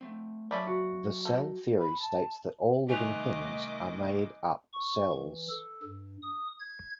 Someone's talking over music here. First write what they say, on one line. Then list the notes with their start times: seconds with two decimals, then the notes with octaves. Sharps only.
The cell theory states that all living things are made up cells.
0.01 A3 C4
0.51 F#3 A#3 C#4 A4 D5 E5 B5
0.67 F#4
1.25 D#4 A4
1.79 B5
1.99 A5
2.89 C2 D#3 A3 D#5 G#5 D6 F#6 F7
4.73 C#6
5.13 E3
5.50 A4
5.83 G2
6.22 D#6
6.59 G#6